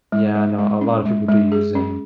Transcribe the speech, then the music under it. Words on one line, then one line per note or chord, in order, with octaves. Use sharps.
Yeah. I know. A lotta people do use Zen.
G#3
G#3
G#3
C#4
G#3
G#3
G#4
C#4